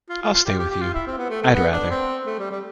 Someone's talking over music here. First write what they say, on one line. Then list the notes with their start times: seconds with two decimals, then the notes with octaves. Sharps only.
I'll stay with you; I'd rather.
0.09 F4
0.22 F4
0.33 F4
0.45 G4
0.58 G4
0.70 G4
0.81 F4
0.94 E4
1.07 C4
1.18 B3
1.30 A3
1.42 A3
1.54 B3
1.73 D4
1.90 C4
2.26 A3
2.39 G3
2.51 G3